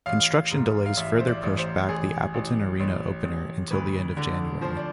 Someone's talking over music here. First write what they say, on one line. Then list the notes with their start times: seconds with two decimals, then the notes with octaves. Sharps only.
Construction delays further pushed back the Appleton Arena opener until the end of January.
0.06 A1 F5
0.51 G#2
0.86 F5
0.97 A1 E5
1.20 C5
1.28 D5
1.43 A1
1.58 C5
1.89 A1 G#4
2.34 A1
2.80 A1
3.25 A1
3.71 D2 B4
4.17 D3
4.61 F3 C5
4.77 D5